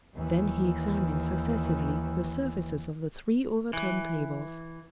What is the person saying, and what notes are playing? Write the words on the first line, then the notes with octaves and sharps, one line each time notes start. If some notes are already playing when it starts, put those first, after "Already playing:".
Then he examined successively the surfaces of the three overturned tables.
D#2 E3
E3